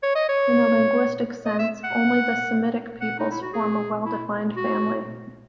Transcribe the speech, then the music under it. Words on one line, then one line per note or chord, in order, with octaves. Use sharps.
In a linguistic sense, only the Semitic peoples form a well-defined family.
C#5
D#5
C#5
D#5
E5
F#5
F#5
D#4
E4
F#4
G#4
E4
F#4